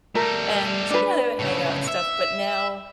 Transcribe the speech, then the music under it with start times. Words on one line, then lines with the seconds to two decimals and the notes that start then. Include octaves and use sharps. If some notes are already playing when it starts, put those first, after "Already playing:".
and, you know, they would hang out and stuff, but, now,
0.15 G3 A3 A#4
0.91 D4 B4
1.39 A2 C#3
1.87 E5